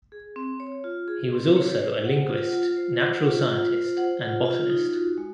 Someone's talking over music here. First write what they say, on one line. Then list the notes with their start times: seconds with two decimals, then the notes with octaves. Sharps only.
He was also a linguist, natural scientist and botanist.
0.12 G#4
0.36 C4
0.60 C#5
0.84 F4
1.08 G#4
1.32 C4
1.56 C#5
1.80 C5
2.05 F#5
2.29 F4
2.53 F4
2.77 C5
3.01 F#5
3.25 F4
3.49 F4
3.73 C5
3.97 F#5
4.21 F4
4.45 F4
4.69 D#4
4.93 F#4
5.18 G#3